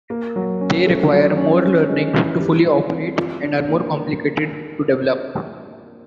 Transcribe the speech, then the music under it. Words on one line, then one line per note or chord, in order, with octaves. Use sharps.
They require more learning to fully operate and are more complicated to develop.
A#3
F#3
C#4
A3
F#3
C#4
C#4
G#3
E3
G3
E3
C4
F4
D4
A#3